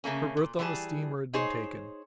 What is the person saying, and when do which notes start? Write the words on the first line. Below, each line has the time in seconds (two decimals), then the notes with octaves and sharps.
Her berth on the steamer had been taken.
0.04 C#3 A3 A#3 C#4
0.37 A#2
0.59 E3 G3 G#4 B4 A5
1.34 D#4 G#4 C5 C#5